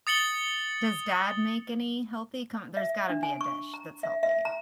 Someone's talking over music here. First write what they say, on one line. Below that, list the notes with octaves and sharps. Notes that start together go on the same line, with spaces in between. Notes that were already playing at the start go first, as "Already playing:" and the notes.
Does dad make any healthy kin there's gotta be a dish that's healthy.
D#6 A6 C#7 F#7 G7
E5
D4
G#5
C#6
A#5
E5
E5
A#5